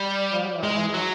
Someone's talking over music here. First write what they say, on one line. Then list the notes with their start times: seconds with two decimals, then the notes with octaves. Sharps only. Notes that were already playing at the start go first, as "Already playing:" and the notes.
Oh, wow.
Already playing: G3
0.63 G#3
0.94 F#3